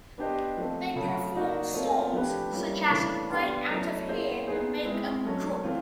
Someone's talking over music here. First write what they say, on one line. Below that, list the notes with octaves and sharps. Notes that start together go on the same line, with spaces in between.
They performed songs such as "Right Out of Here" and "Make 'em Drop".
B3 D4 G4 C5 D#5
F3 A3 C4
C#3 F#3 A3
A#3 D#4 F#4 A#4 D5
A3 C4 F4 A#4 C#5
F3 A3 D4 G4 B4
G3 A#3 C#4 E4
C#3 E3 A3 D4
B3 D4 G4
F#3 A3 C#4 E4
A#3 C#4 E4 G#4 C5
B3 D#4 G#4 C5
G#3 C4 E4
F#3 A3 C#4
E3 A3 C4 F4